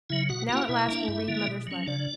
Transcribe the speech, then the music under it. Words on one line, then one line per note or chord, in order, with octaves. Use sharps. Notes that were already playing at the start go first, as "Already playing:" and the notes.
Now at last we'll read mother's letter.
C#3 F#3 E4 E5
B2 F#4 F#5
A#3 E4 F#4 F#5
B2 E4 E5
A#3 D4
G2
D3 A#3 E4
B2
F#3 C#4
C#3 D4 D5